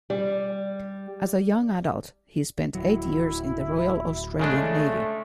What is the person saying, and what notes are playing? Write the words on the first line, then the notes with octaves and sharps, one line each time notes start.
As a young adult, he spent eight years in the Royal Australian Navy.
G3
D1 F#3 E4
C#3 G#3 A3 D4